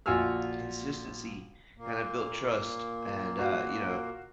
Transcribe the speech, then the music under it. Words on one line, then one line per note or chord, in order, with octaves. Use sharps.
consistency kinda built trust and, uh, you know,
A#1 F4 F#4 G#5 E6 F6
A#2 A#3
F#4 F5